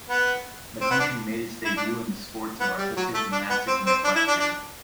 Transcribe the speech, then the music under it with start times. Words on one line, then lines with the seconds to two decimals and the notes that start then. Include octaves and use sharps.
The country made its debut in the sports of artistic gymnastics and equestrian.
0.09 B3
0.81 C4
0.90 B3
0.99 D4
1.65 E4
1.77 D4
2.60 B3
2.78 G3
2.97 F#3
3.14 A3
3.32 D4
3.50 B3
3.67 C4
3.86 C4
4.04 D4
4.15 E4
4.28 D4
4.40 D4